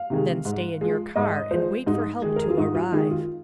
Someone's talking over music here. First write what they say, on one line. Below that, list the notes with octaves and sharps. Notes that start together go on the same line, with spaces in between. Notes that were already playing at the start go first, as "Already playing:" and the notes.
Then stay in your car and wait for help to arrive.
Already playing: F5
C3 D#3 G#3
G#2
F3 G#3
G#2 D#5
F3 G#3 C5
G#2 D#4
D#3 G#3
A#4
G#4
F4
G#2 D#4
F4
D#3 G#3 D#4
F4